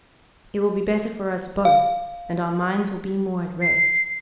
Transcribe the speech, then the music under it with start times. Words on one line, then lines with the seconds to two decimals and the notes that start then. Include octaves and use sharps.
It will be better for us both, and our minds will be more at rest.
1.65 F5
3.62 C7